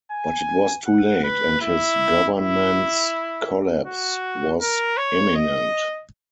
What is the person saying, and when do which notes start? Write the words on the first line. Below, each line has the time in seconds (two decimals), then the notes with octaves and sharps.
But it was too late, and his government's collapse was imminent.
0.11 G#5
0.86 F#5
1.24 B4
1.61 E4
2.36 E4
3.86 F#4
4.60 A#4
4.97 C#5
5.35 D#5